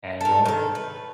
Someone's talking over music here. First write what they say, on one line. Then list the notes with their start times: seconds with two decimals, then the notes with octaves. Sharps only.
and you won't
0.21 A4 A#4
0.46 D#3 A4
0.75 B4